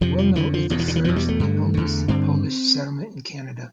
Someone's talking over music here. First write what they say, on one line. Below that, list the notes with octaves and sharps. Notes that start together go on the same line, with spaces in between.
Wilno is the first and oldest Polish settlement in Canada.
F2 C3 F3
F3
F2 D3 E3
F3
E2 B2 F3
E3
D3
E3
E2 B2 F3
G3
A3
G2 D3
E2 D3
G2 D3 C4